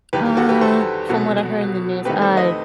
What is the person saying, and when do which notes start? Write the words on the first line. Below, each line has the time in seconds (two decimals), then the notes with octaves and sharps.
Uh, from what I heard in the news, I
0.13 E2 D#3 G3 G4 B4
0.25 G4
0.37 F#4 A4
0.49 G4 B4
0.61 A4 C5
1.09 C2 B2 F#3 B3 F#4 A4
2.05 E2 D#3 A3 C4 G4 B4
2.22 A4 C5
2.37 B4 D#5